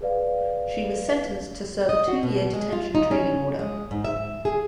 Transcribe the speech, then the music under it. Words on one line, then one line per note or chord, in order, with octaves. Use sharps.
She was sentenced to serve a two-year detention training order.
G#4 B4 D5 F5
D#5
F#4
B2
G#3
F4
D#4
C#4
G#3
G#2
E5
G#4